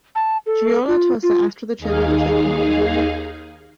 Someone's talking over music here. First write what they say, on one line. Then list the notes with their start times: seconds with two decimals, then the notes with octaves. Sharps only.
Giolla Tosa asked for tribute which they could not provide.
0.15 A5
0.46 A4
0.88 F4
1.23 F4
1.78 D#2 D#4 G#4 F5